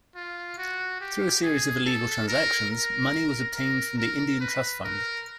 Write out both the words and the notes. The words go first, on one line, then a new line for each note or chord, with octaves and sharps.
Through a series of illegal transactions, money was obtained from the Indian Trust Fund.
F4
F#4
G4
G#4
A4
A#4
A#4
A#4
A#4
B4
A#4